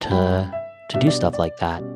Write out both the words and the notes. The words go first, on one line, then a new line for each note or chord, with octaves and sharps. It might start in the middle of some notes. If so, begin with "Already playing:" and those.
to to do stuff like that.
A5
G2 F#3 C#4 G5 B5
E5
B2 G3 D4 E5
D5
D5
B2 G3 C#4